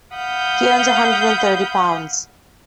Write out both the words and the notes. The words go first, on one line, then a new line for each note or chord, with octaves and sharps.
He earns a hundred and thirty pounds.
F5 F#5 B5 D#6 G6